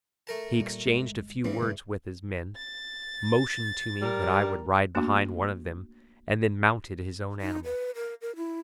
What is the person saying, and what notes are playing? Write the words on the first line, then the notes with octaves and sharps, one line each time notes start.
He exchanged a few words with his men, motioned to me that I would ride behind one of them, and then mounted his own animal.
A3 A#4 A5
A#2 G3
G1 G#3
E2 G2 E3 A#3 C#4
C3 G#3
A6
G3 A#4
A3 A#3 D4 F#4
D#4
B4
A#4
A#4
E4